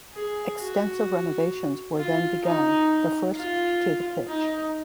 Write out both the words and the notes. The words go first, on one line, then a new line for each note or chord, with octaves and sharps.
Extensive renovations were then begun, the first to the pitch.
G#4
F#4
F4
D#4
F4
D#4